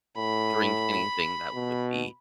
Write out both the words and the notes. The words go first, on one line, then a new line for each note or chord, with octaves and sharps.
drink anything that would be
A2 B5
B2